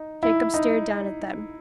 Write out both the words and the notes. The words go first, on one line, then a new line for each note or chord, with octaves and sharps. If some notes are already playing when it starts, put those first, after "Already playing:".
Jacob stared down at them.
Already playing: D#4
E4
D#4